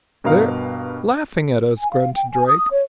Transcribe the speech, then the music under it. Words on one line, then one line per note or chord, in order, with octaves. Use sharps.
"They're--laughing at us!" grunted Drake.
G2 B2 A#4 F5
G#5
F5
G5
G#5
D#6
C#5